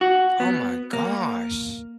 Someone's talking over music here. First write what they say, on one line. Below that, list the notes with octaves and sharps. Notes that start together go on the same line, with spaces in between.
Oh my gosh.
F#4
B3
A#3